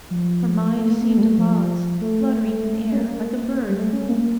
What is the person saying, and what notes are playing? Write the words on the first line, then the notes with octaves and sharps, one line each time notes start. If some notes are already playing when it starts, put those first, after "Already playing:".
Her mind seemed to pause, fluttering in air, like a bird in the wind.
F3
A3
A#3
A#3
A3
G3
A3
F3
A3
C#4
A#3
G3
A3
C#4
A#3